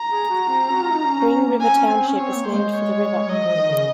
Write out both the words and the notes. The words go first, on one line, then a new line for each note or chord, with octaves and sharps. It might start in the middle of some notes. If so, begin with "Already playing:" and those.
Wing River Township is named for the river.
Already playing: A#5
G#4
F#4
C4
F#4
F4
D#4
C#4
C#4
C#4
A#3
C4 G#5
C#4
C4
C#4
C4 C#5
A#3
C5
G#3
C#5
F#3 D#5
F3
D#3
C#3